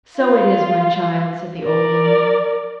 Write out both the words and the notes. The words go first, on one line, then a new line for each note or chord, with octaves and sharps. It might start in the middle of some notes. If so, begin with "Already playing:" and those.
"So it is, my child," said the old woman.
F4
A#4 D5